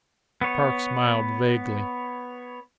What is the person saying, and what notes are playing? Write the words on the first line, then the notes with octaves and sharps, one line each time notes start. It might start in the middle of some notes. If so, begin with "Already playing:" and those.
Park smiled vaguely.
B3 C#5